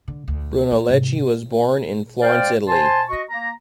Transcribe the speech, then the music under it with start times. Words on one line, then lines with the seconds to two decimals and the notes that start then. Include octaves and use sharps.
Brunelleschi was born in Florence, Italy.
0.08 D3
0.28 D2
0.71 A#3
0.90 G#2 C3
2.22 C5 D5 F5 G5
2.68 C5 G#5 A5 C6
3.09 F#4 D#5 C#6
3.31 A#3 A#5